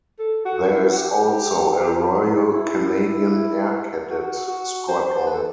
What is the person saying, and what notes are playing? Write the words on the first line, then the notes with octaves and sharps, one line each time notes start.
There is also a Royal Canadian Air Cadet Squadron.
A4
F#4
E4
F#4
G4
E4
F#4
F#4
C5
B4
A4